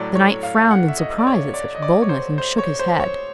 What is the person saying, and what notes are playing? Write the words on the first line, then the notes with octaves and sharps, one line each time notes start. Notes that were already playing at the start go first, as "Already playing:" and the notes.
The knight frowned in surprise at such boldness, and shook his head.
Already playing: A2 F#3 A3 D5
C#5
F5
F#5
E5
D#5
D5
C#5
D5
D#5
D5
C#5
C5
C5
C#5
C5
C#5